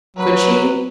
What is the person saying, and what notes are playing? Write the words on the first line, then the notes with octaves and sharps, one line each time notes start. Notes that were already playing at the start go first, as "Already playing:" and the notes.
Could she?
F#3 B4